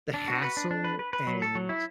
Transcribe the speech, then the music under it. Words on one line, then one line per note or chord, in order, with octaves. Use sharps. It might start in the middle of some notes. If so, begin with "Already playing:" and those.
the hassle and
D4
F#4
B4
D4
D4
B4
B4
B4
F#3
A4
F#3
E4